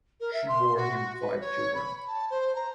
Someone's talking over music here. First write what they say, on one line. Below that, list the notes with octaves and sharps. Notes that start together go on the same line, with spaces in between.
She bore him five children.
A#4
E5
C6
F#4
B4
C#5
B5
A5
C5
A#5